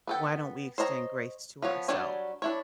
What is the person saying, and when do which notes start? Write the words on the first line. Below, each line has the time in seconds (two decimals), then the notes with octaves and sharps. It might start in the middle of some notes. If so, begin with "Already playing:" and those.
Why don't we extend grace to ourself?"
0.07 B3 A4 G5
0.78 C5 C#5 D#5 A#5
1.62 F3 B3 C#5
1.88 F#3 G3 D4 C#5 G#5
2.42 D4 E4 C#5